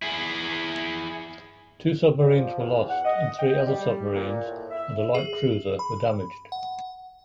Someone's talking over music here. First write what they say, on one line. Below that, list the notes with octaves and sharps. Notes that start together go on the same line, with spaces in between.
Two submarines were lost and three other submarines and a light cruiser were damaged.
E4 G#4
G3
F3
E2
F#5
D#5
G5
G3
A#2
A2
E5
G#4
B5
F#5